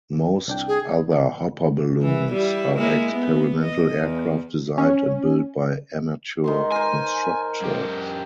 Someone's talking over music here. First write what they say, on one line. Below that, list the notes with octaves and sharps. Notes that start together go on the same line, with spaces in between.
Most other hopper balloons are experimental aircraft designed and built by amateur constructors.
C2 D4 G5
G#4
E3
G3 E4
G#3 A#3 E4
B3
D#5
E2
C#4
D#3 G#3 C6
A#4 C5 G#5
F#2 G4